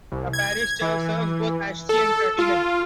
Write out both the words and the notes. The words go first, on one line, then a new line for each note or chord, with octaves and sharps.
The parish church serves both Aeschi and Krattigen.
C2
G#6
E3
A4
F4